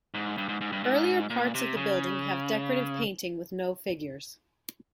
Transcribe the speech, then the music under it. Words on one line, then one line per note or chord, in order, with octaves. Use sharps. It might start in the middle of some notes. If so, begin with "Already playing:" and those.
Earlier parts of the building have decorative painting with no figures.
G#2
G2
G#2
G#2
G2
G#2
A#2
C3
C#3